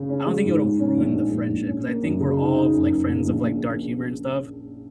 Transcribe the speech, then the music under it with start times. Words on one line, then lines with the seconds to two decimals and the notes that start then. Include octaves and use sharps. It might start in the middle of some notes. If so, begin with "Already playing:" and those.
I don't think it would have ruined the friendship because I think we're all, f like, friends of, like, dark humor and stuff.
Already playing: C#3
0.09 C#4
0.26 G#3
0.45 G#2
0.62 G#2
0.79 C#4
0.97 A#1
1.15 G#2
1.32 A#1
1.50 A#1
1.67 C#4
1.85 A#3
2.03 F#2
2.20 C#3
2.38 D#4
2.55 D#4
2.73 F#1
2.90 F#1
3.07 C#3
3.25 A#1
3.42 A#2